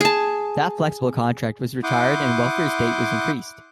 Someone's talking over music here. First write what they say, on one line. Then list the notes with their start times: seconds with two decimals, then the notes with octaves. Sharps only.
That flexible contract was retired and welfare state was increased.
0.01 G#4 A5
1.83 E4 F#5 C6 D6 D#6 G6